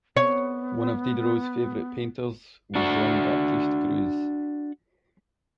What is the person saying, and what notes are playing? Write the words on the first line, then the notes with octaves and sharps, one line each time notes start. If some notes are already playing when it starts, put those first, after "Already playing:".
One of Diderot's favorite painters was Jean-Baptiste Greuze.
B3 C#5
D4 F#4